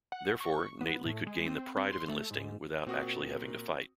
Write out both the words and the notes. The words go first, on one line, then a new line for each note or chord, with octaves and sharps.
Therefore, Nately could gain the pride of enlisting without actually having to fight.
F#5
C#6
B3
A2
G#3
C4
C4
C6
A3
G#2
A#2 C4 F#4 D#6